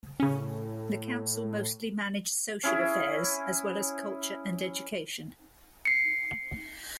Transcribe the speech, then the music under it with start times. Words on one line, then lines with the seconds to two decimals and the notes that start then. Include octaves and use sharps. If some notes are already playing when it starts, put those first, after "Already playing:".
The Council mostly managed social affairs as well as culture and education.
0.20 A2 C#3 C#4
2.63 C#4 E4 G#4
5.85 C7 C#7